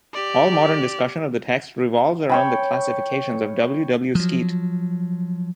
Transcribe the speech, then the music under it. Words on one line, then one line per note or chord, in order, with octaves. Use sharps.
All modern discussion of the text revolves around the classifications of W. W. Skeat.
G4 D5
C#5 G5 B5
F3 F#3